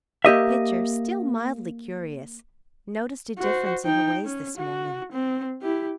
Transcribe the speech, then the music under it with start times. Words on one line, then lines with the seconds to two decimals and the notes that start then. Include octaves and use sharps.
Pitcher, still mildly curious, noticed a difference in her ways this morning.
0.25 A#3 G4 D#5 E5
3.38 F#4 C5
3.84 D#4 G5
4.24 C#4
4.57 F#4
5.12 C4
5.62 E4 G4